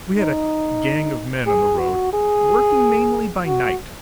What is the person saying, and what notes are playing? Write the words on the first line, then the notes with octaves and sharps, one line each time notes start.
We had a gang of men on the road, working mainly by night.
D#4
G#4
F#4
G#4
F#4